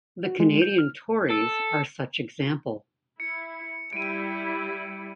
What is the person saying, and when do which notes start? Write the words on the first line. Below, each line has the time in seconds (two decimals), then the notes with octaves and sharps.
The Canadian Tories are such example.
0.25 F#4
0.40 G#3
0.62 G6
0.78 F6
1.31 A4
3.20 E4 C#7
3.93 G3 E4 D7 D#7